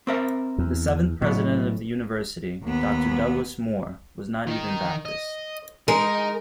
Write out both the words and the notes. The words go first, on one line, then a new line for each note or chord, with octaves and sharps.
The seventh President of the University, Doctor Douglas Moore, was not even Baptist.
C4 A#4 E5
E2
A2 F#3 B3
D#2 B3
D#3 D#4
D#5
G#3 D#4 A#4